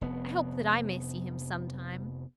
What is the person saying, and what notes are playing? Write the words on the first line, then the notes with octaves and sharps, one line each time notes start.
I hope that I may see him sometime.
F1 B3